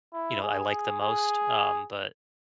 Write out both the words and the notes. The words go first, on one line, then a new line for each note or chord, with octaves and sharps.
you know, I liked the most. Um, but
E4
G#4
G#4